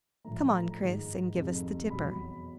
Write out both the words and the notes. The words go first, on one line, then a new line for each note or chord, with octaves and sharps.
Come on, Chris, and give us the dipper.
A2 F3 A3 A#5
A#5
G#2 D#3 G#3
F2 C3 D#3 G#3
E2 B2 F#3 B5